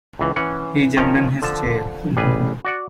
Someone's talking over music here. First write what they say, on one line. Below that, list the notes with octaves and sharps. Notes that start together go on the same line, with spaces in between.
He jumped in his chair.
C#2 E3
E3 C#4 F#5
D#3 F3 C#4 C#5 G5 A#5
D3 F3 A5
A1 G3 G#4 B4
F#4 D5 F#5